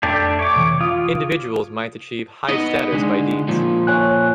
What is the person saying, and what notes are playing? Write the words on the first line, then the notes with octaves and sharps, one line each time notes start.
Individuals might achieve high status by deeds.
F2 A3 D4 G4
C#5 D6
C3 E3
F4 D#6
B3 D#4 D#5
D3 G#3
A#2 F3
C#5 G#5 F#6